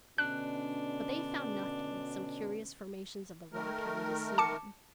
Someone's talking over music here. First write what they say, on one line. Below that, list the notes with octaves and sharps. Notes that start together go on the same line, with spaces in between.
But they found nothing, some curious formations of the rocks having deceived them.
B2 D3 C#4 D4 F#6
D#3 A3 A#4
A5 D6 C#7